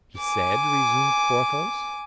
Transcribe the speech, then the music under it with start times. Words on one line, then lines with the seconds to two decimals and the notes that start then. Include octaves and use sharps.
"He said?" resumed Porthos.
0.18 G#5 D6